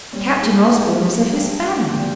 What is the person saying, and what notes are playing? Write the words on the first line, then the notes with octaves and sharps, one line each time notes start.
Captain Osborn is of his family.
A#2 G3 C#4
D#4
G#4
G4
G#2 G3 G#4
G2 G3
A#2 F3 G4